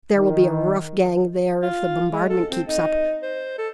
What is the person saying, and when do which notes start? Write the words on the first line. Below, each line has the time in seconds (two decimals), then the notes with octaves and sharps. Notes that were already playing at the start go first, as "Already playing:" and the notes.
There will be a rough gang there if the bombardment keeps up.
0.16 D#3
1.62 F4
2.12 G#3
2.29 A4
2.51 C4
2.68 D#4
3.22 C5
3.58 A4